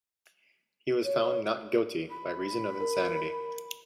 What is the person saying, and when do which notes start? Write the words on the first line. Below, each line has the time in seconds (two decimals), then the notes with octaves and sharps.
He was found not guilty by reason of insanity.
1.04 C#5
2.09 B5
2.80 A#4